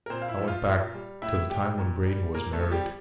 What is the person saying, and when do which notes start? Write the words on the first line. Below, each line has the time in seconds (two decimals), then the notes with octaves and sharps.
I went back--to the time when Braden was married.
0.06 A#4
0.10 A#2 C4 C5
0.22 F5
0.28 E4 E5
0.38 F3
0.48 F4 F5
0.66 A#2
0.94 G3
1.22 A2 E4 E5
1.50 G3 G4 G5
1.78 A#2
2.07 G3
2.34 A#2 A#3 A#4
2.53 A3 A4
2.62 F3
2.71 G3 G4